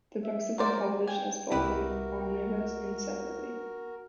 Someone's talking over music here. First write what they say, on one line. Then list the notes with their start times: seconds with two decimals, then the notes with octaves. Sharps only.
The books have been published as both an omnibus and separately.
0.24 E5
0.58 F#3 A#4 C5 D5
1.07 G5 G#5
1.52 C2 C4 E4 F#4 G4 A#4 B4